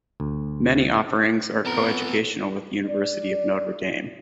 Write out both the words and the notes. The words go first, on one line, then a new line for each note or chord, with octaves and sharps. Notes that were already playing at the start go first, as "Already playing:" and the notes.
Many offerings are coeducational with the University of Notre Dame.
D2
F2 B3 A4 A#5
D5